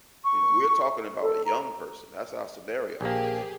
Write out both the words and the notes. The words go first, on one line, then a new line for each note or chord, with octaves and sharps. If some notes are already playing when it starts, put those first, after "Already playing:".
you know, we're talking about a young person, that's our scenario of the day.
C#6
A4
A#5
A#1 A#3 G4 G#4